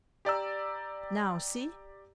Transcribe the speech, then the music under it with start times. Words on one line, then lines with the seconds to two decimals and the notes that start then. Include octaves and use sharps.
Now, see!
0.25 G4 D5 A#5 E6